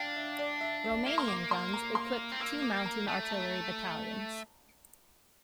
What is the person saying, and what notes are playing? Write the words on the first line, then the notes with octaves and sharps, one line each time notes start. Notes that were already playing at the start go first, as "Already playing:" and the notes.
Romanian guns equipped two mountain artillery battalions.
Already playing: D4 F5 G5
E5
D5
E5
E5
A#3 E5
C6
D6
C6
A#5
C6
C4
A#3 E6
D6
A#5
A3 A5
A5